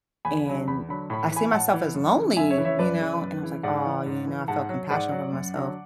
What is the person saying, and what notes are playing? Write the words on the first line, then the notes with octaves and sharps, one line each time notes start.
And I see myself as lonely, you know? And I was like, "Aw," you know, I felt compassion for myself.
E2 G#5 B5
D3 F#3
E2 B5
D3 F#3 B5
A2 B5
E3
G#5 B5
A2 F#5 A5
E3
F#2
C#3 E3
F#2 E5 G#5
C#5 E5
C#3 E3
C#5 E5
F#2 B4 D5
C#3 E3
F#2
C#3 E3
G#2 D5 F#5
E3
G#2
E3
G#2 F#5 A5
F#3
G#2 D5 F#5
F#3
F#2
D3 F#3